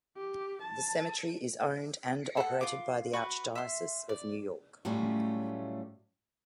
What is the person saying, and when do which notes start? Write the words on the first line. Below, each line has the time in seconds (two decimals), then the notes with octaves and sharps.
The cemetery is owned and operated by the Archdiocese of New York.
0.17 G4
0.62 A5
2.37 A4 F#5
2.61 F4 D6
3.13 F#4 B4 C#6
3.55 E5 C6
4.09 D5
4.85 A2 F#3 G3 A3 C#4 F4